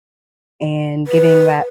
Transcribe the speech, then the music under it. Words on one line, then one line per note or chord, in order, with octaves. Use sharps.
and, giving that
B4